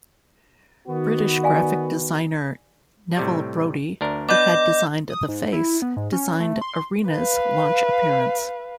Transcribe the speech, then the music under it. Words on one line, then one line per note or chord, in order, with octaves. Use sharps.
British graphic designer Neville Brody, who had designed "The Face," designed "Arena's" launch appearance.
D#3 B3 F#4
D5 F5 G#5
A2 C3 G3
D2 D4 A#4
B3 D4 B4 D#5 D6 G6
D#6
G#2
E4
B3
G#2
C#4
A3
C6
B4 F5